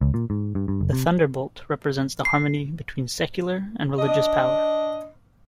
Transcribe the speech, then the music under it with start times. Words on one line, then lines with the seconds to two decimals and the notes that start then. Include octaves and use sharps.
The thunderbolt represents the harmony between secular and religious power.
0.01 C#2
0.14 A#2
0.30 G#2
0.55 G2
0.68 G2
0.81 F#1
0.93 C3
2.25 C7
3.99 D4 D#5